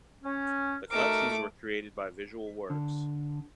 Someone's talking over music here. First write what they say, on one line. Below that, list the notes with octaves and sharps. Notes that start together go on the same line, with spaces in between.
The cutscenes were created by Visual Works.
C#4
A3 D#4 F#4 A#4 D6
D3